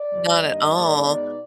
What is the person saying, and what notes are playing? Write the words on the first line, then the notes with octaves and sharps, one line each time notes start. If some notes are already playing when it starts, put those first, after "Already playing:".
Not at all.
Already playing: D5
F2 C3 D#3 G3
G2 D#3 G3 A#3 D#5
G#2 D#3 G3 A#3 D5
B2 G#3 B3 D#4 D5